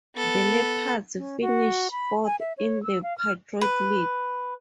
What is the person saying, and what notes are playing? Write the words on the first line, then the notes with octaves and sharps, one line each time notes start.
The Leopards finished fourth in the Patriot League.
B3 A4
C#4
F#4
B5
G#5
E5
C#5
E6
F5
F6
B4